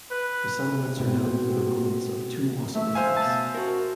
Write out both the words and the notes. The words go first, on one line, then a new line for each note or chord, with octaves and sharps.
The settlements are known for the ruins of two mausoleums.
B4
B2 C4
A3 E5
C5 F5 G#5
B2 A5
F#4 A#4